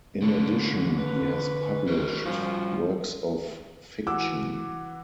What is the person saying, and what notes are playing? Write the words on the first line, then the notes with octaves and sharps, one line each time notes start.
In addition, he has published works of fiction.
D3 C#4
B4
F#4 A#4 C5
F3 G3 C#4 F#4
E3 F#4 D6 E6